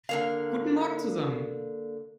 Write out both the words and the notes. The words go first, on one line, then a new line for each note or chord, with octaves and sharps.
Guten Morgen zusammen!
D3 A#3 F5